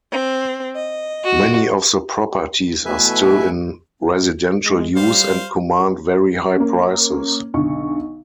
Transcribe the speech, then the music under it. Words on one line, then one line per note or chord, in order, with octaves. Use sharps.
Many of the properties are still in residential use and command very high prices.
C4
D#5
F#4
B2 E3 A3 B4 E5 G#5
G#3
G3 C5 F5
A#3 C#4
B1 D3 C#6